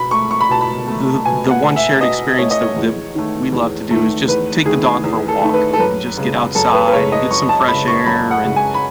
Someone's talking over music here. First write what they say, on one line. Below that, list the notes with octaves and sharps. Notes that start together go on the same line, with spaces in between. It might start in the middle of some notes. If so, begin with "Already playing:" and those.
the, the the the one shared experience that that we love to do is just take the dog for a walk and just get outside and get some fresh air and,
Already playing: B2 B5
A3 C#6
C#6
B5
B2 A5
B5
A3
B2 G#5
F#5
A3
E5
B2 D#5
A3 C#5
D#5
C#5
E2
D#3 A3
E2
D#3 A3
E2 B4
D#3 A3 G#4
E2
A4
D#3 A3
B4
A4
F#2 B4
C#3 G#3
F#2 A4
B4
B4
C#3 G#3 C#5
D#5
F#2 C#6
A5
C#3 G#3 B5
C#6
F#2 B5
F#5
C#3 G#3
G#5
B5